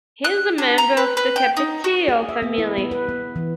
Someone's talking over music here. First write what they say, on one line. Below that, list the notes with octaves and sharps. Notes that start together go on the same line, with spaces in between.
He is a member of the Capetillo family.
F#6
D4
A#5
B4
B4
G5
D#4
F#4
G#4
E5
B3
E4
B3
B4
B3
E3